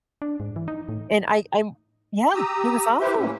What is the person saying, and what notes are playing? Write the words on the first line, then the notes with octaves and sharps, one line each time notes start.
And I I'm Yeah, it was awful.
D4
G#2
E3
D#4
A2
G4 A#5 D#6 E6
E4 G4 B4 C5 E5
A2 A#3 C#4